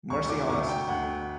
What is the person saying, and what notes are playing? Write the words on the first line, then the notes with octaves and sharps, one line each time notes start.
Mercy on us!
D2 C#6
D6
D2 C#6
G5
D2 F#5